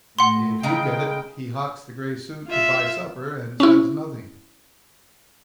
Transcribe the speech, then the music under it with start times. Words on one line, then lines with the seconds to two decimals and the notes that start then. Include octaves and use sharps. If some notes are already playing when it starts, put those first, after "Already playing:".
If you get it he hocks the gray suit to buy supper and says nothing.
0.19 A2 F#5 C6
0.63 C#3 G#3 G5 A#5
2.48 F4 E5
3.60 C#4 E4